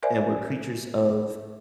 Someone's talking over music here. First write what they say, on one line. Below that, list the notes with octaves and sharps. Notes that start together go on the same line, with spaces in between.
and we're creatures of
A#4 C5 D5 E5 G#5